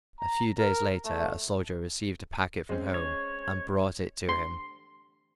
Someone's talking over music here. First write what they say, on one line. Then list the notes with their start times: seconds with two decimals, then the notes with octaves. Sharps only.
A few days later a soldier received a packet from home and brought it to him.
0.20 A#5
0.59 A#4
1.05 A3
2.69 G#3 C4 C#4
2.94 C#5
4.29 C6